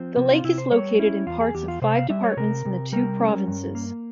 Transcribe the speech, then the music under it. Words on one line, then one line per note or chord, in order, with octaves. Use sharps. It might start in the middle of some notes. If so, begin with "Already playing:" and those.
The lake is located in parts of five departments in the two provinces.
Already playing: F3 C4
C3
F4
C3 E4
C5
G3 C#5
C#4 E4
E2 F4
G#4
E2 G4
F4
C3 C5
F5
G3 E5
C#5
C3 A#4
C3
G3 A#4
C#4
G2
A#3